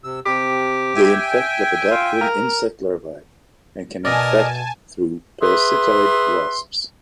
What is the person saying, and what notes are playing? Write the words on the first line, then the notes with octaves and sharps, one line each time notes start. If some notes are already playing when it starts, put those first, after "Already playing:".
They infect lepidopteran insect larvae and can infect through parasitoid wasps.
C3 E6
C3 G4
E5 G5 G#5
F4
A#4
B2 A#4 D5 D#5 G#5 A5
G#4 B4 E5 C6